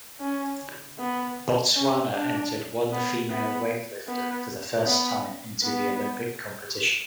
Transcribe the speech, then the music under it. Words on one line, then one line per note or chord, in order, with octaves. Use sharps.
Botswana entered one female weightlifter for the first time into the Olympic competition.
C#4
B3
C#4
D4
B3
B3
B3
B3
B3